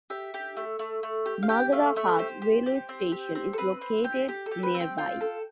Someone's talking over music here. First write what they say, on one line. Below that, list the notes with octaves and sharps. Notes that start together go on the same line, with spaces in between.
Magra Hat railway station is located nearby.
G4 E5
G4
A3
A3
A3
G4
F5
G4 G5
A3 F5
A3 E5
G4 C5
G4
G4
C4
G4
C4
A4
C4 B4
C4
G4
G4
A4
G4
B4
C4
G5
F4 G5
A4